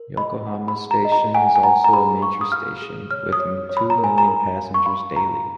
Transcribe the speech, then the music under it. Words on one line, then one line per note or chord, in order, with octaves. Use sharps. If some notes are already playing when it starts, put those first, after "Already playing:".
Yokohama Station is also a major station, with two million passengers daily.
Already playing: A#4
D#5 B5
F#5
B5
G#4
A#5
D#5
A#5
F#5 G#5
G#5
F#5 A#5
A#5
G#4 B5
F5 C#6
D#6
F5 F6
G#4
C#5 F6
D#6
C#5
C#5
B5
A#5
A#4
G#5
A#5
A#4
F5
C#6
F5 B5
F5 A#5